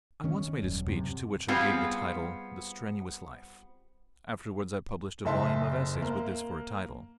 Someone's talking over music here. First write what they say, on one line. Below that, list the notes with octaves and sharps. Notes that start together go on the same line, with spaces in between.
I once made a speech to which I gave the title "The Strenuous Life." Afterwards I published a volume of essays with this for a title.
D#3 C#4
D#1 F#2
F#2 C3
G3 B3 C4 F4 G#4
F#1 A4 E5 A5 C6
A#3